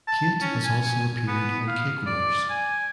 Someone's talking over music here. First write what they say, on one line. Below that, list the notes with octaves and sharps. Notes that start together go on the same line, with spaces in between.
Cait has also appeared on "Cake Wars".
A5
C#4
G#5
B3
F5
D5
G#5